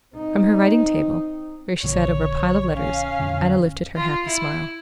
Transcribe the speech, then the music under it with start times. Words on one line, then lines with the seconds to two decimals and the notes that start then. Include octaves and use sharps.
From her writing-table, where she sat over a pile of letters, Anna lifted her happy smile.
0.15 C4 D#4
1.84 A#1 A#2 D3 C#5
2.75 C#4 F5
3.20 F2 D3
3.96 F4
4.28 E4